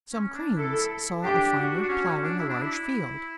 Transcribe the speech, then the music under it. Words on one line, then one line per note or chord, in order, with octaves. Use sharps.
Some Cranes saw a farmer plowing a large field.
C#4
D4
E4 A4
D4 G4
F#4
D4
C#4
C#4
D4
E4
D4
E4